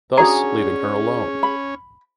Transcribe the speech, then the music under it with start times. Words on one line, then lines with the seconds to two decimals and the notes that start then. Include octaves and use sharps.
Thus leaving her alone.
0.18 C#4 D4 F#4 G#4 A#5
1.43 B5